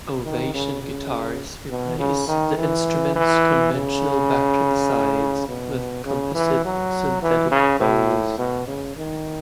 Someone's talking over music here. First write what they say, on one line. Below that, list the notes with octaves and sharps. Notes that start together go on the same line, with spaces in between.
Ovation guitars replace the instrument's conventional back and sides with composite synthetic bowls.
D#3
C#3
C#3
B2
C#3
D#3
E3
E3
C#3
B2
C#3
E3
F#3
E3
C#3
A2
B2
C#3
D#3